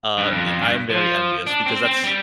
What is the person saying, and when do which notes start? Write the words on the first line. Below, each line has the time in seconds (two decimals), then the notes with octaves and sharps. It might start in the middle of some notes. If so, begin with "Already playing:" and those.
uh, i I am very envious because that's
0.18 G2
0.32 F2
0.46 F2
0.61 G2
0.90 F3
1.47 D4
1.66 C4
1.85 C4
2.04 G3